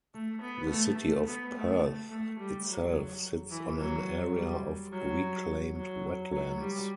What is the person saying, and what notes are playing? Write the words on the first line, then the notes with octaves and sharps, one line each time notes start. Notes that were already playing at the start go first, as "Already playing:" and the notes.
The City of Perth itself sits on an area of reclaimed wetlands.
A3
B3
A3
A3
B3
A3
A3
G3
F#3
E3
F#3
G3
F#3
F#3
F#3
G3